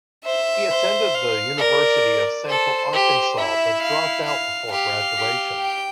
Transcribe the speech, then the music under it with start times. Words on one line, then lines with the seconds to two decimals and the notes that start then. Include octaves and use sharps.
He attended the University of Central Arkansas but dropped out before graduation.
0.25 C5 E5
0.70 C5
1.15 F5
1.59 A#4 D5
2.48 A4 C5
2.93 G4
3.38 E4 E5
3.82 F5
4.26 F5
4.71 G4 F5
5.16 G4
5.60 G5